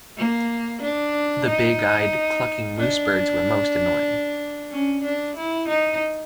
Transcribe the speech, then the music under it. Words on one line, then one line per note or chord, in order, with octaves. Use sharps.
The big-eyed, clucking moose-birds were most annoying.
A#3
D4
D#4
D4
C#4
D4
E4
D#4